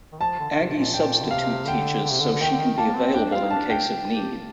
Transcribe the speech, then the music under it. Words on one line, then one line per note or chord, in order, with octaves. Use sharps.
Aggie substitute teaches so she can be available in case of need.
D#3
F3 A5
D3
D3
C3
A#2
A#2 G5
D3
C3 F5
D3 G5
D3
C3
D3
D3
D#3 G5
D3
D#3
A#3 A5
C4
D4 G5
F5
F4
D#4
D4 A5
G5
G4